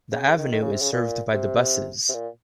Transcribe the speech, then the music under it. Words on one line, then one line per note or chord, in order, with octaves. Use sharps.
The avenue is served by the buses.
C#3
C#3
D#3
D#3
C#3
C3
C#3
A#2
C3
C3
A#2